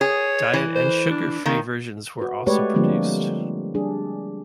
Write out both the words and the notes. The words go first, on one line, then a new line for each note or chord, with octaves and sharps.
Diet and sugar free versions were also produced.
G#4 C#5
E3
C5
D4
D#3 A#3
F#4 B4
G#3 A3 G4 B4 C#5 D5
D3 F3 G3 G#3 A#3 C4
G3 D4 G#4